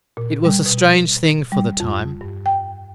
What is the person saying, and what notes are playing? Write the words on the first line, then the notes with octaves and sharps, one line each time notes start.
It was a strange thing for the time.
A#2
G3
B2
G3
F2
G2
G5